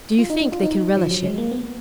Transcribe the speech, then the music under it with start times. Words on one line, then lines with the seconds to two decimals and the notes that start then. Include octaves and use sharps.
Do you think they can relish it?
0.18 F4
0.30 D#4
0.41 D4
0.52 F4
0.63 D#4
0.97 F3
1.11 F#3
1.24 G#3
1.38 A#3
1.51 B3